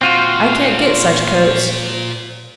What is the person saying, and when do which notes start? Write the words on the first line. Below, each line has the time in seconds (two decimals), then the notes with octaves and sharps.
I can't get such coats.
0.01 A#2 C4 F4 F#4 G5